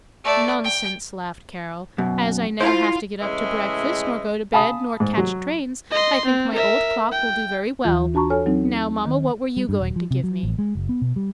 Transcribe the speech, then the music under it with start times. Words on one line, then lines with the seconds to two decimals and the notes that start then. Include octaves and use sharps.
"Nonsense," laughed Carol; "as I never have to get up to breakfast, nor go to bed, nor catch trains, I think my old clock will do very well! Now, Mama, what were you going to give me?"
0.24 A3 D5
0.64 G5
1.98 F#2 B2
2.61 E4 F4 C5 F5
3.21 A2 C#3 E3 G#3 D#5 E5
4.53 F5 G#5 A5 B5 D#6
5.00 G#2
5.17 F#3
5.91 D#5 C6
6.25 C4
6.55 A#4 E5
7.12 G5
7.84 D#2 E3 F4 G6
8.14 D4 F#4 A5 A#5 C#6
8.30 A4 C#5 G#5 F6
8.46 F#3 C4 D#4
9.06 D#3
9.57 G3
9.69 G2
9.80 D#1
9.96 F3
10.11 C3
10.24 F#3
10.43 A1
10.59 G#3
10.75 F#1
10.89 B3
11.02 B2
11.16 G3